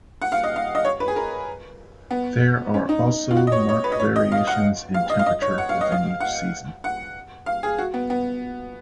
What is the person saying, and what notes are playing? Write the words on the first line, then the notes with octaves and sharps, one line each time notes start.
There are also marked variations in temperature within each season.
F#5
F5
D#5
F5
D#5
C#5
B4
G#4
A#4
B3
C#4
D#4
F4
F#4
D#5
C#5
C#5
B4
D#5
C#5
D#5
F5
F#5
F5
D#5
F5
D#5
C#5
F#5
F5
D#5
F5
F#5
F#5
F5
G#4
F#4
B3
B3